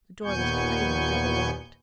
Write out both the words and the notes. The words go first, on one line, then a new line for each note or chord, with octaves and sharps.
The door was plainly double-locked.
D#2 A#2 B3 G#5 C#6 G6